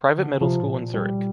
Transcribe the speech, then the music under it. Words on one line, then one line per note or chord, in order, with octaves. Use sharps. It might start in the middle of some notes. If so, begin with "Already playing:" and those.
Private middle school in Zurich.
D3
C3 F3
A2
A#2
G3